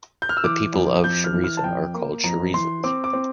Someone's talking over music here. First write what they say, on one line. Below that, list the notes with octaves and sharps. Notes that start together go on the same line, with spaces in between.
The people of Cerizay are called Cerizians.
G6
F6
E6
E3 D6
F2
F2 G6
F6
E3
F6
A5
F2 G5
A#3
F2 A#5
E3 C6
C4 D6
D6
C4